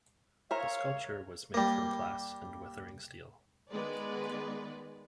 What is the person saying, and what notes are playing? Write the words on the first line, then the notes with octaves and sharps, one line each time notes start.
The sculpture was made from glass and weathering steel.
A#4 C5 C#5 E5 F5
G3 A#3
D#3 G#3 B3 B4 D5